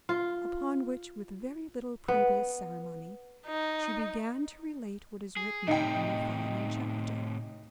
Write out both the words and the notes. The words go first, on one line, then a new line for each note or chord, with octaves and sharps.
Upon which, with very little previous ceremony, she began to relate what is written in the following chapter.
F4
B3
D#4
G#4
A2 C3 D#4 G5